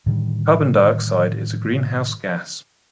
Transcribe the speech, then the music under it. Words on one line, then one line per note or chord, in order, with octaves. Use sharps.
Carbon dioxide is a greenhouse gas.
A2 D3 D#3 G3